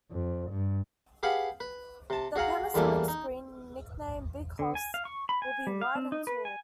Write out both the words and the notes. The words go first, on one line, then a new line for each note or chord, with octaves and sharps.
The Panasonic screen, nicknamed "Big Hoss", will be wide and tall.
F2
G2
G4 G#4 B4 F5 F#5
B4
C3 A5
F#4 G#4 F5 F#5 A#5
E2 E3 G3 A3 A#3 D4
D#4
D3
G#5
F5
C#6
B5
G#5
G3
F5
C4
D#4
B4
G#5